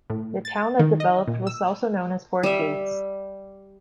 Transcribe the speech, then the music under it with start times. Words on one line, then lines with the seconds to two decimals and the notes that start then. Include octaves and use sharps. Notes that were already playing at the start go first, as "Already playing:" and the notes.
The town that developed was also known as Fort Yates.
0.10 A2
0.45 A6
0.79 D#3
1.00 D#5
1.28 A#2
1.47 E6
2.43 G3 E5